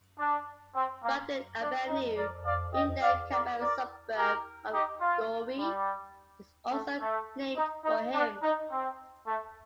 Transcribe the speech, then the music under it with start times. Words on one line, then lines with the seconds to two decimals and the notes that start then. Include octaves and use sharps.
Bugden Avenue in the Canberra suburb of Gowrie is also named for him.
0.17 D4
0.75 C4
1.03 A#3
1.60 D4
1.88 D#4
2.16 A#4 D5
2.45 D5 F5
2.73 D#5 G5
3.02 D5 F5
3.30 A#4 D5
3.59 A#4 D5
4.15 G4 A#4
4.72 D#4 G4
5.01 F4
5.58 G3
6.72 A3
6.99 A3
7.56 D#4
7.85 D#4
8.14 D4
8.42 D#4
8.71 C4
9.27 A3